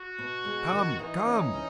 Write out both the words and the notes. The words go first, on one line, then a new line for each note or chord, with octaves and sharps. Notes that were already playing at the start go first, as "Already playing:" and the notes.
"Come, come!"
Already playing: F#4
B2
G#3
D#3
E3 D#4
C#4
C#4